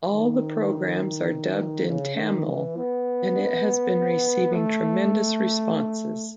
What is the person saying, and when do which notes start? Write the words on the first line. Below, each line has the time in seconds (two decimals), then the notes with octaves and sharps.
All the programmes are dubbed in Tamil and it has been receiving tremendous responses.
0.12 D#3
1.88 C#3
2.17 D#3
2.47 E3
2.77 B3
4.52 A3